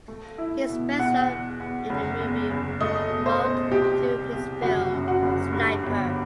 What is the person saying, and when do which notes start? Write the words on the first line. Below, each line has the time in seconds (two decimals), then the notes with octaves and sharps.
He is best known in the movie world through his film "Sniper".
0.08 A3
0.38 E4
0.69 B2
0.99 E2 F#5
1.29 E2
1.60 E2
1.90 F#1
2.20 E2
2.51 F#1
2.81 A3 D#5
3.10 B2
3.26 C5
3.41 E2
3.71 C2 G4
4.02 C2
4.32 C2
4.62 F#1 F#4
4.92 F#2
5.08 F#4
5.22 F#1
5.52 G2
5.83 G1